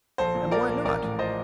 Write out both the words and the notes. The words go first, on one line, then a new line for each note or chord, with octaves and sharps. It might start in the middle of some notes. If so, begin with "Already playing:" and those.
"And why not?"
A#1 A4 C5
A#2
F3 A#4 D5
A#1
A1 A#4 D5
A2
F3 C5 D#5